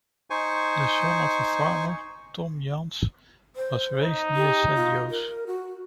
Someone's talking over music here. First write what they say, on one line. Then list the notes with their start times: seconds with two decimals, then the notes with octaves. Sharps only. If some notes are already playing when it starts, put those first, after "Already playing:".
The son of a farmer, Tom Jans was raised near San Jose.
0.30 D#4 C5 G#5 C#6
3.56 C5
4.01 D#4
4.36 G4
4.75 F4
5.10 A#4
5.47 F#4